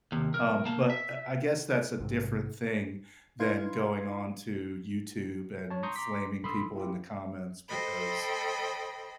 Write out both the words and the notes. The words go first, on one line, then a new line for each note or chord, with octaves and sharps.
Um, but, uh, I guess that's a different thing than going on to YouTube and flaming people in the comments because
D#2 C3
B1 A#4
A#3 A5
E5
A#1 G#2 C3
D#4 E4 B4 F5 C6 G#6
C#5 A5
A#5 C6 C#6 D#6 G6
A#5 C6 D6 B6
A#1 D3 B5 C6 D#6 E6
E4 F4 G4
A4 C5 D#5 G5 B5